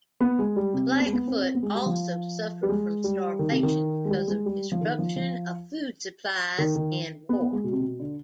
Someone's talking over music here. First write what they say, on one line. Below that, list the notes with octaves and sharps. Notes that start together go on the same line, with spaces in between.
The Blackfoot also suffered from starvation because of disruption of food supplies and war.
B3
G#3
G3
C3
C4
B3
G#3
B3
C4
C4
B3
G#3
G3
F3
G3
G#3
G3
D#3
C3
D#3
G#3
G3
G#3
G3
F3
D#3
F3
F3
D#3
D#3
B3
B3
G#3
B2
C3
B2
D3